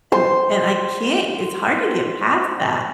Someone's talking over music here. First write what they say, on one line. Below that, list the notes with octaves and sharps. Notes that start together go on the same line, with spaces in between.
and and I can't, it's hard to get past that.
C5 C6